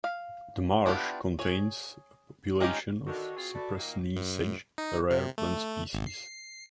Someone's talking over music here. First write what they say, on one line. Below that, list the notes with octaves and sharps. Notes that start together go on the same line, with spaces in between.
The marsh contains a population of Cypress Knee Sedge, a rare plant species.
F5
B3 D4 E4 F4 G4
G#4 C#5
G#3 C#4 D#4 F4 G4
D3 D#3 F#4
C4 F4 G#4
A3 B4 D5
A#2 D#3 A#3
F#2
D#4
C3
A3
G#1
C7